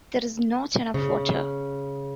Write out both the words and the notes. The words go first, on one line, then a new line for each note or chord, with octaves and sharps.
There's Not Enough Water!
C#3